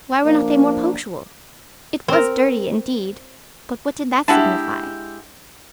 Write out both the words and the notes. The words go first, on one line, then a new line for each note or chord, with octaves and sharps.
Why were not they more punctual? It was dirty, indeed, but what did that signify?
F3 A#3 D4
C4 A#4
G#3 D4 E4 G4 F#5 G#5 A5